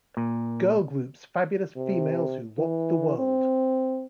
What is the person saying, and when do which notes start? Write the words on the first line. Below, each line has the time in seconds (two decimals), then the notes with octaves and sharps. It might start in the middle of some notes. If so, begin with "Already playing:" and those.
Girl Groups-Fabulous Females Who Rocked The World.
0.17 A#2
1.76 C3
2.58 E3
3.18 C4